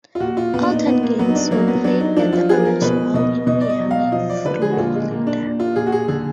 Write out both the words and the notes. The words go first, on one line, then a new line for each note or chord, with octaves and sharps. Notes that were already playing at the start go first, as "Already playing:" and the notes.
All ten games were played at the Orange Bowl in Miami, Florida.
F4
A#2 F#4
F4
A#2 B3
D4
D#4
A#2 B3
A#3
F#3 B3
D#4
D4
F#3 A#3
B3
F#3 D4
D#4
F3 D4
F4
F3 G#4
A#4
B2 B4
B2 D#5
B2 D#5
D5
D#5
F#3
F5
F3 D#5
D5
D3 B4
G#4
F#4
A#2 F4
G#3
A#2 A#3
D4
A#2
F4
A#2 G#4
F#4
G#4
D3 G#4